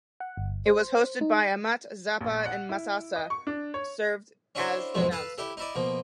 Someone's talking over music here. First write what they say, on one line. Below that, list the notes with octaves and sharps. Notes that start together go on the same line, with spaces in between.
It was hosted by Ahmet Zappa and Masasa served as the announcer.
F#5
G1
C5
D#4
A#1
F#5
E4
D#5
C#6
D4
C#5
C#4 D4 E4 F#4 A4 C5
B1 F2 G#2 F3 G#3 A3
A4 B4 F5 A5
E4 G4 A4
D#4 E4 D5
B2 F3 A#3